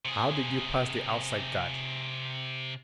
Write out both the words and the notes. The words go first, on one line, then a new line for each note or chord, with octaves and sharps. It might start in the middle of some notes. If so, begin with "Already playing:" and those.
"How did you pass the outside guard?"
C3 G#4